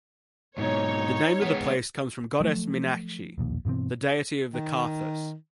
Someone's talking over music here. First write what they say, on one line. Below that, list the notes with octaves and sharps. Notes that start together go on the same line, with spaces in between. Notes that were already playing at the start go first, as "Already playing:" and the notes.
The name of the place comes from Goddess Meenakshi, the deity of the "Karthas".
G#2 B2 D#4 C#5
G#3 B3
F3 F#3 A3
E1 A#1 D#2
G2 B2 E3 C4
D#3